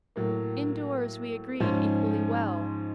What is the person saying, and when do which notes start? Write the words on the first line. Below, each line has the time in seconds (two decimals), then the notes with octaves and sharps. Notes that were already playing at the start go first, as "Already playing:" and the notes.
Indoors we agreed equally well.
0.16 A2 F#3 A#3
1.60 G#2 F3 G#3 C#4